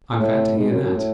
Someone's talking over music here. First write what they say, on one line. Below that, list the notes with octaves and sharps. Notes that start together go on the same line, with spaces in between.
I'm glad to hear that.
A2
G#2
F#2
F#2
A2